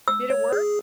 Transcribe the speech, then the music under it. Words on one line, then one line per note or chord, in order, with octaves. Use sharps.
Did it work?
E6
C#5
G#4